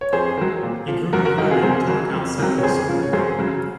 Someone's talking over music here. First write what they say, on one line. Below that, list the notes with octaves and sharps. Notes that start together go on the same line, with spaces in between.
A group of women talk outside of a store.
C#5
F2 G#4 C5
D#3 F#3
A#2
F3
F#2 F#4 A#4
F#4 A#4
D#3 F#3 D#4 F#4
F4 G#4
F#2 G#4 C5
D#3 F#3
F2
C3 D#3 F#3
C#5
F2 G#4 C5
C#3 F3
C#5
F#2 G#4 C5
C#3 F#3